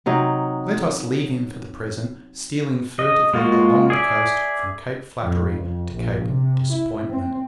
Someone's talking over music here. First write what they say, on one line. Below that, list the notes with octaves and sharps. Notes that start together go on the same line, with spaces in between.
Let us leave him for the present stealing furtively along the coast from Cape Flattery to Cape Disappointment.
C3 F#3 D#4
D#5
G#3 A#3 F4 F#4
G#4 D5 E5
F2
F2
A#1
C3
E4
C4